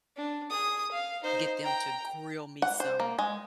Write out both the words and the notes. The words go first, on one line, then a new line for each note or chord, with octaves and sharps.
get them to grill me some,
D4
G#4 D#6
F5
D#4 C5
G5 A#5
F#5
C5
A#3
G#3